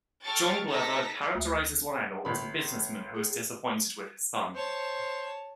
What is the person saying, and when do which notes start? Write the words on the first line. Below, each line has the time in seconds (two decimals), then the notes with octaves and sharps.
John Glover characterizes Lionel as a businessman who is disappointed with his son.
0.22 A4 G5 C#6 F6 A6 D7
0.68 D#4 A4 A5 A#5 A#6 B6
1.35 D2
2.25 G1 B5
3.15 G#4
4.55 C5 C#5 A5